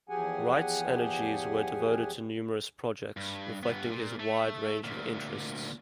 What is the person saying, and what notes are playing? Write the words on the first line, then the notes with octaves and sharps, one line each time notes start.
Wright's energies were devoted to numerous projects, reflecting his wide range of interests.
E2 F3 G4 G#4 F#5 G#5
G2
G2 B3
A#2
A3
D2 A#2